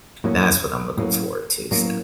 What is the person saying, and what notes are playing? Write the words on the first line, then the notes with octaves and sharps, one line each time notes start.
that's what I'm looking forward to, so
A2 F#3 A#3 C#4
A2 F#3 A#3 C#4
A2 F#3 A#3 C#4